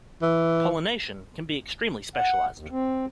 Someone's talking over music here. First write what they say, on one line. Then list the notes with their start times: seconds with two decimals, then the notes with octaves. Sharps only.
Pollination can be extremely specialised.
0.22 E3
2.16 F#5
2.58 D#2
2.71 C4